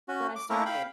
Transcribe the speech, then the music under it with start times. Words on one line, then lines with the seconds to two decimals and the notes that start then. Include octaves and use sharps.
but I started
0.08 C#4 F#4
0.36 D6
0.50 A3 A#3 E4 A#4
0.66 F5 G5 B5